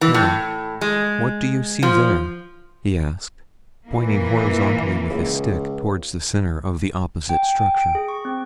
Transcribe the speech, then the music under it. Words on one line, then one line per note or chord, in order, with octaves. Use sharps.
'Now, what do you see there?' he asked, pointing horizontally with his stick towards the centre of the opposite structure.
E3
A2
G#3
F3
A#2 E3 A#3
C#2
G5
G#5
G5
D7
G#4
C#6
C4